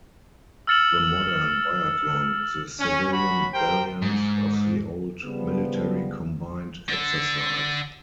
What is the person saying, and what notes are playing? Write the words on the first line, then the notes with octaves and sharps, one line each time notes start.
The modern biathlon is a civilian variant of the old military combined exercise.
E6 F6 A6 C#7 E7 F#7
C#4
C#4 F#4 B5
G4 A#4 C5 G5
G#2
C#3 F3 G3 B3
D3 A4